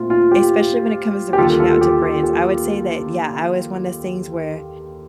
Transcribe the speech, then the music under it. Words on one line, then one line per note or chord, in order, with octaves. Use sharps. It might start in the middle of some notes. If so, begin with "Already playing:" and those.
especially when it comes to reaching out to friends, I would say that, yeah, I was one of things where
Already playing: A#2 A3 C4 F4
F4
G4
G4
D#2 D3 G3 A#3 F4 A4
F4 A4
G4
F4 A4
G4